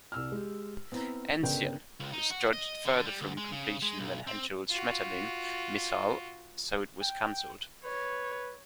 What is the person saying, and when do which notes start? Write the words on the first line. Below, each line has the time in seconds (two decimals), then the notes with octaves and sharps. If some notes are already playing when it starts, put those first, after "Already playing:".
"Enzian" was judged further from completion than Henschel's "Schmetterling" missile, so it was cancelled.
0.12 C2 E6 F6
0.32 G#3 G4
0.92 B3 C4 E4 A#5
1.43 G1 C#3 A#4 B4 G5
2.00 C#2
2.13 D#4
2.30 F#4
2.53 D#5
2.85 D3
3.05 G3
3.22 D2
3.37 G#3
3.52 C#3
3.82 G#3
3.99 B1
4.27 C4
4.70 F4 F#4
7.01 G5
7.84 B4 C#5